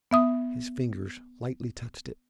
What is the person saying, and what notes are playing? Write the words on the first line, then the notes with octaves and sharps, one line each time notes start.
His fingers lightly touched it.
B3 E5 D#6